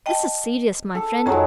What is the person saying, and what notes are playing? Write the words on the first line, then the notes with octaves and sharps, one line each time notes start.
This is serious, my friend!
D#5 G5 A5
A4
F2 D#3 F#3 G#3 A#5